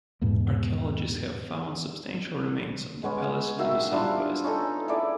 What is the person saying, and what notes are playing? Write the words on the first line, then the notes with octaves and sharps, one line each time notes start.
Archeologists have found substantial remains of the palace to the southwest.
E2 G#2 B2
G#3 B3 C#4 B4
D#3 F#4 E5 F5
G3 D4 E4 F4
C#4 D#4 A4
E4 G#4 A4 D5